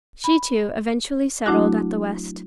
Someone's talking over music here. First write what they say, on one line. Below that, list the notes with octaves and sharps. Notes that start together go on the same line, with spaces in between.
She, too, eventually settled at the West.
B5
F#3 A3 D4 E4 F#4